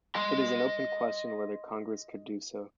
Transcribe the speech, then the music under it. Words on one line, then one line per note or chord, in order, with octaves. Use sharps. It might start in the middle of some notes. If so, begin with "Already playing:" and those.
It is an open question whether Congress could do so.
D#5 C6